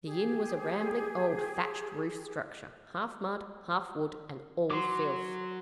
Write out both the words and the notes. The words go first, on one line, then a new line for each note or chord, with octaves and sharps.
The inn was a rambling old thatched-roofed structure, half mud, half wood, and all filth.
G4 G#4
F#3 C6 D6